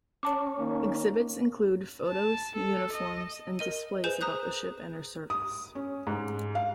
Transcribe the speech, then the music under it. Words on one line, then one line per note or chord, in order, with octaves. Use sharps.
Exhibits include photos, uniforms, and displays about the ship and her service.
C#4 C#5 A5 D6
D#3 A#3
A5
A4
D#5
A#4 D#5 D#7
G#4 B4 C5 G#5 G6 E7
A#5 D#6 F#6 G6
D#6
C#4
G#2
F5